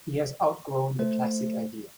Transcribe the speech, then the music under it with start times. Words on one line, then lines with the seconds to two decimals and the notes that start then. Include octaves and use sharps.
He has outgrown the classic idea...
0.99 A3 C5